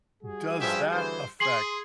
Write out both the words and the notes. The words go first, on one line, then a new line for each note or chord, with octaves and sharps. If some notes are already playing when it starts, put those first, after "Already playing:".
Does that affect
G3 F#4 G#4
G2 F3 C#4 G4 E5
D3 E3 C5
G#4 C6 C7 F#7